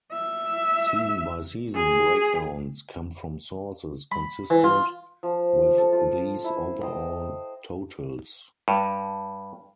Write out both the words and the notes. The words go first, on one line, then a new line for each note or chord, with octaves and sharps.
Season-by-season breakdowns come from sources consistent with these overall totals.
E5
G#4
B5
E3
F4
F3
A4
F4
E4 C5
C5 D#5 G5
G2